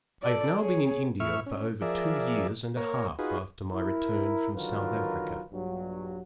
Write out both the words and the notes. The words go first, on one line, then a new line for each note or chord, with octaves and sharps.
I have now been in India for over two years and a half after my return from South Africa.
A4 D5
G#4 C#5
A2 E4 E5 C#6 F6
C#4
F3 G#4 A#4 D5 E5
A#3 A#4 C#5
D#4 F4 F#4 G#4 B4
E4 A#4
D3 D#3 F#3 F4 A#4 B4
A#1 G2 F#3